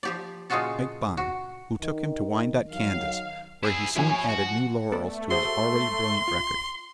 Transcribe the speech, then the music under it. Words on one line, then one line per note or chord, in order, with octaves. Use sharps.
Ike Bonham,--who took him to Wyandotte, Kansas, where he soon added new laurels to his already brilliant record.
F3 G4 D5
A#2 C#3 G#3 F4 F#4 A4
F#4
D#3
D#3 F#3 F5
E4 G#4
F3 E4 C#5 G#5
F#4
A3 B3 A4 D5
F#4 G#4 C5 C6
F4